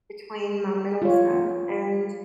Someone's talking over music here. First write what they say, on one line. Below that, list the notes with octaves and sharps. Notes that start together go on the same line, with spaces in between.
between my mental stuff and
F4 C#5